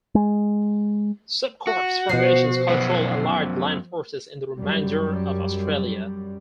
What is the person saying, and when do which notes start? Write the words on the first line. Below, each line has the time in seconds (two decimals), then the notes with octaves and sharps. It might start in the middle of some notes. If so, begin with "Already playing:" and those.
Sub-corps formations controlled Allied land forces in the remainder of Australia.
0.15 G#3
1.67 F#4
2.09 B2 F3 C7
2.69 F#2 B3 B4
4.59 F#2 G3